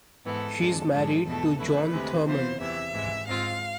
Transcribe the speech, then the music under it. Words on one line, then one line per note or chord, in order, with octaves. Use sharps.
She is married to John Thurman.
G#2 E3 B3 A4
F2 C3 G#3 D4
G#2 F3 G#3 D4 A4
E2 B2 A3 A4
F2 D3 A3 E4 B4
D2 C3 G#3
C3 E3 B3 F4 C5
E2 C3 E3 E5
G#2 E3 G#3
G#2 G#3 C4 F4 F5